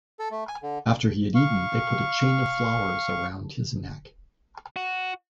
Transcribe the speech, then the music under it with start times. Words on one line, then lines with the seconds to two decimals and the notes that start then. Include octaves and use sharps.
After he had eaten, they put a chain of flowers around his neck.
0.19 A4
0.31 A3
0.48 G#5
0.63 D3
1.35 F5 C#6
4.76 F#4